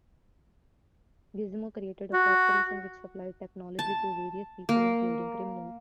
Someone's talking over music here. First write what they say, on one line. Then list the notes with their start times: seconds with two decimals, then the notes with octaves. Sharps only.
Gizmo created a corporation which supplied technology to various people, including criminals.
2.13 F#4
3.79 A5
4.69 A#3